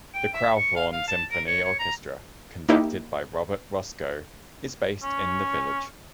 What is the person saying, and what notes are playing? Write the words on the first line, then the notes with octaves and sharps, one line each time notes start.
The Crowthorne Symphony Orchestra, conducted by Robert Roscoe, is based in the village.
G5
E5
C#6
F5
F5
A5
A#4
C#5
C#5
A#5
A#3 D#4 E4 G4
C#4